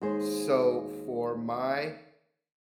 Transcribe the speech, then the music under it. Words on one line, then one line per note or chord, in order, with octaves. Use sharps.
so for my,
D#2 G#3 G#4 C5